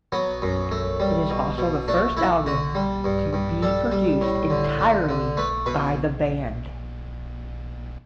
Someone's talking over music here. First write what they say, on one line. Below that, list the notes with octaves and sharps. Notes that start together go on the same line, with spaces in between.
It is also the first album to be produced entirely by the band.
F#3 B3
F#2
A3
G3
B2
B2
A3 D4
A3 E4
D3 F#4
G3
G2
G2
G3 A4
G3
A2
D3
D3
D3
A3 B4
B2 B4